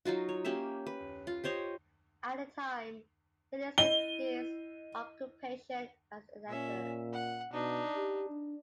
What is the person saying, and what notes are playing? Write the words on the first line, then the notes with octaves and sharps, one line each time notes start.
At the time, he listed his occupation as "editor".
F#3 D#4 F4 F#4
C#5
A#3 C#4 G4 E5
B4
F4
G4 C5 C#5 D#5
E4 D#5 D#7 G7
A#2 C#4 E5
F#5
B2 D4 D#4
G4
D4